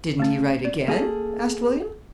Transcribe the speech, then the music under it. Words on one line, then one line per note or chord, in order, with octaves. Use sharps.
"Didn't he write again?" asked William.
A3 C#4
D5
A#3 G#4 A4